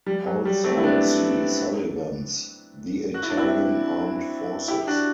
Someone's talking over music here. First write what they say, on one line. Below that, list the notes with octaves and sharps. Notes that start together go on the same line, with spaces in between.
Also see Sullivan's "The Italian Armed Forces".
G3
F#3
G3
A3 C4
E4
B3 D4
F#4
E4
D4
C4 E4
E4 G4
D4 F#4